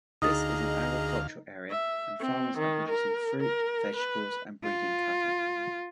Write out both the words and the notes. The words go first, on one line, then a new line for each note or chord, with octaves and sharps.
This is an agricultural area and farmers are producing fruit, vegetables and breeding cattle.
D2 D#4 G#4 D#5 F5 A#5 D#6 A6
E5
C4
D#3
A#4
A#4
B4
F4